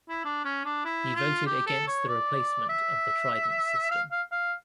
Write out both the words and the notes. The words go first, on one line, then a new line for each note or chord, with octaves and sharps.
He voted against the replacement of the Trident system.
E4
D4
C#4
D4
E4
F4
G4
A4
C#5
D5
E5
F5
F5
F5